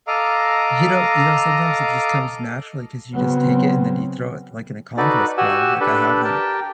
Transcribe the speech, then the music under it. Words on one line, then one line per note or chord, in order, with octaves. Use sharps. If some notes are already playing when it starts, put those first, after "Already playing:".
You know you know, sometimes it just comes naturally 'cause you just take it and then you throw it, like, in a compost pile. Like, I haven't
A4 D#5 F5 A#5 D6
C#3 F#3 B3 C4
D#4 F#4 A4 B4 D5
F#4 G4 F#5 G#5 E6
D4 G4 A4 B4
G4 A#4 G5 A5